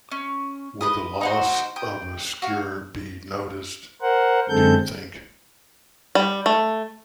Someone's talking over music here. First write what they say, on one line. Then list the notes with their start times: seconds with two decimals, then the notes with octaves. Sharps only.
Would the loss of a skewer be noticed, do you think?
0.11 C#4
0.81 B4 D#5 D#6
1.21 D#4 F#4 C5
1.76 G5 D#6
2.42 F#4 F5
4.01 A#4 C5 F#5
4.49 F#2 D3 G#3 C4 A4 G6
6.15 G3
6.46 A3